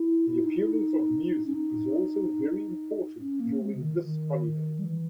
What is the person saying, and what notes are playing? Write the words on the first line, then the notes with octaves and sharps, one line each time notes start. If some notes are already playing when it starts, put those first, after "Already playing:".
The appearance of music is also very important during this holiday.
Already playing: E4
E4
D#4
E4
D#4
C#4
D#4
C#4
A#3
G#3
C#3
D#3
D#3
G3
E3